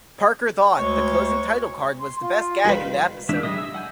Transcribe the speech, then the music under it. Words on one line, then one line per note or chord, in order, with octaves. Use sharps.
Parker thought the closing title card was the best gag in the episode.
D2 G#3 C#5 C#6
C6
F4
D#3 G3 B4
E3 G#3 D4 E5
G3 G#4 D#5 E5 D#6
E5 E6
F#5 G#5 G6